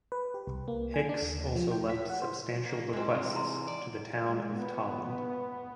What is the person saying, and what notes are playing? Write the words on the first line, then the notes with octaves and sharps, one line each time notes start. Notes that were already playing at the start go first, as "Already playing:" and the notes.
Hicks also left substantial bequests to the Town of Tolland.
B4
G4
C2
A#3
G#5
D4
D#2
F3
G5
B6
F#5
C5
A#3
G#2 G#3 C4
C3 E3
A#5 C6
D5
G#3
B3